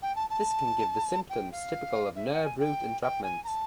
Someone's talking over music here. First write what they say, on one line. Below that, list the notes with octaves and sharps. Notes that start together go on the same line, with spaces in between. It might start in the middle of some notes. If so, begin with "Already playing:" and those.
This can give the symptoms typical of nerve root entrapment.
G5
A5
A5
G5
F5
E5
F#5
G#5
G5
G5
G#5
A#5
A5